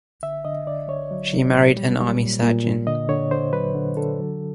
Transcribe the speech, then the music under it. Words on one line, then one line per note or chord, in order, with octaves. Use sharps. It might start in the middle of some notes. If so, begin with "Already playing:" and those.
She married an Army surgeon.
D3 E5
D3 D#5
D3 D5
D3 C#5
F#3
F#3
A#2
G3
G3
A#2
A#2
A#2
D3 D#5
D3 C#5
D3 C5
F#3 B4
D3
D3 A4
F#3